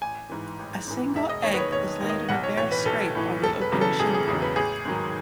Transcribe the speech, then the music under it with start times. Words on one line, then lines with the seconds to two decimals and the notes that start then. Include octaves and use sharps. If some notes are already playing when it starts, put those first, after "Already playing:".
A single egg is laid in a bare scrape on the open shingle.
0.01 A1 G#5
0.30 G#2 E3
0.59 A1
0.87 G#2 E3
1.15 E1 E5
1.29 D#5
1.43 D#2 D#3 C#5
1.54 B4
1.58 C#5
1.72 E1 C#5
2.00 D#2 D#3
2.10 D#5
2.29 B1 F#5
2.44 C#5
2.57 A2 E3 C#5
2.71 B4
2.85 B1 A4
3.15 A2 E3
3.42 E1 A4
3.62 B4
3.72 E2 C#3 F#3
3.81 A4
4.00 E1 G#4
4.14 G#4
4.28 E2 C#3 F#3 G#4
4.42 B4
4.56 A1 G#4
4.85 G#2 D#3 F#3